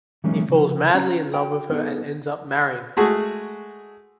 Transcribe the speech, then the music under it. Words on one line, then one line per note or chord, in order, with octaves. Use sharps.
He falls madly in love with her and ends up marrying her.
E3 F#3 G#3 A#3 C#4 D#4
C#3 F3
C#4 A#5
F#4 G5
B3 D4 D#4 G#4 A4
G#3 A3 F#4 G#4